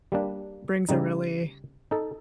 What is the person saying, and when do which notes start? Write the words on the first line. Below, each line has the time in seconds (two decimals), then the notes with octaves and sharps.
brings a really,
0.12 G3 A#3 D4
0.89 C#3 G3 D#4
1.91 D#4 A4